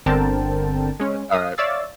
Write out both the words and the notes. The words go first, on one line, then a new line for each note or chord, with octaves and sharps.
But it's alright.
G1 D3 C4 A#4 G5 A5
G#3 C#4
F5 D#6
C#5 D5 E5 F5 E6 A6